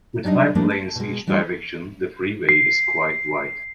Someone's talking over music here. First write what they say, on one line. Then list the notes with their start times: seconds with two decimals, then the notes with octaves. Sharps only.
With five lanes each direction, the freeway is quite wide.
0.24 F#3 G3 D4 D#4 D#5
0.55 F3 G3 A3 A#3 D4 D#4
0.70 A5
0.95 B2 G#3
1.27 E3 G3 A3 D4 D#4 F4
2.49 C7